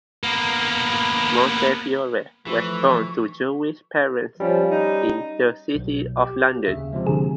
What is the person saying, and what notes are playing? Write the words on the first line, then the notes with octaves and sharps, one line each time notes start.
Montefiore was born to Jewish parents in the City of London.
A#3 B3
E3 F3 A3 C#6
F3 G3 C#4
D#4
B1
G4
D#2 C#3 E5
C3 F3 G#3
D3 G#4